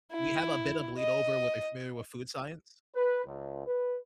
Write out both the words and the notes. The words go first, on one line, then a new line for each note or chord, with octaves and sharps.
we have a bit of bleed over with are you familiar with food science?
E4
D#5
B4
C#2
B4